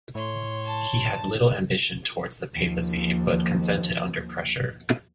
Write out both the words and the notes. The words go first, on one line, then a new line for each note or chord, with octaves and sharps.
He had little ambition towards the papacy, but consented under pressure.
A2 C#5 C6
A5
D#2 F3